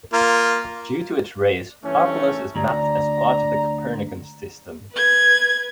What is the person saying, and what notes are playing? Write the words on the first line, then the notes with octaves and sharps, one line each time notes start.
Due to its rays, Harpalus is mapped as part of the Copernican System.
A#3 F4
G2 E3 A3 C#4
D2 D5 A#5
B4 G#6